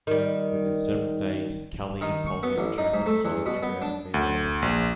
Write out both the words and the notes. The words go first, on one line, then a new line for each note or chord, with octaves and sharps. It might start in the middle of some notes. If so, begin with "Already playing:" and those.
Within several days Calli and Polly have attracted a huge crowd of females.
D#3 G3
D#3
C#6
B3
A1
D#4
G#2
A3
E2
B2
B3
D4
D2
A#1